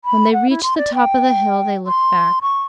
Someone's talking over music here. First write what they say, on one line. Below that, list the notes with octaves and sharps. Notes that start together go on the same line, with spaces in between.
When they reached the top of the hill they looked back.
B5
F#5
E4
C6
D5
G5
C6
C#6